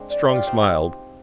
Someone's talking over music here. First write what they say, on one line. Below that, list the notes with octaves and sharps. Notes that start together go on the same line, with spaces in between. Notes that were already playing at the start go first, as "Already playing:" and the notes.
Strong smiled.
Already playing: G#3 C4 D4
D5
G4 D5
F4
C4 D#4